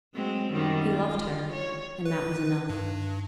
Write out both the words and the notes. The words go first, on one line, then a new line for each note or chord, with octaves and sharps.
He loved her, and that was enough.
F#3 G#3 C4
F#2 D#3 G3
F4
C#5
B4
G2